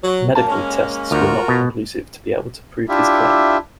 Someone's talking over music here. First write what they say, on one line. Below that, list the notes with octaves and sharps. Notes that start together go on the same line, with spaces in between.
Medical tests were not conclusive to be able to prove his claim.
F#3
F#2 A#3 A5
G#3 A#3 C#4
D2 F4 F#4 A#4
B2
D4 E4 F4 G4 E5